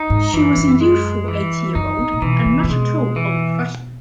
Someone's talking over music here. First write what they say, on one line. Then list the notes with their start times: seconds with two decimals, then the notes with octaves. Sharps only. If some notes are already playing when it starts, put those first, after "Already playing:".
She was a youthful eighty-year-old, and not at all old-fashioned.
Already playing: D#4
0.10 G#2
0.33 F#2 E3
0.57 F#2
0.81 G#3
1.28 E3
1.75 F#2 D#4
1.98 A#2
2.13 A#2
2.22 B2 E3
2.46 C#3
2.64 C#3
2.69 B2 G#3
3.16 E3